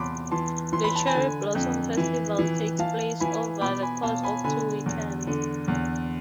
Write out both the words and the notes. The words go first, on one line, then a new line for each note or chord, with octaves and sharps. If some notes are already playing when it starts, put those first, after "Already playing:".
The Cherry Blossom Festival takes place over the course of two weekends.
Already playing: E2 C3 A5 B5 C6 D6
E3 A5 C6
E3 C6
B5
A5
G#5 B5
D3
F2
E3
E3
E3 F5 A5
E3 G#5 B5
B2 B5 D6
G#5 B5
B2 F5 A5
G#5 B5
D3 G#5 B5
E2
D3
E2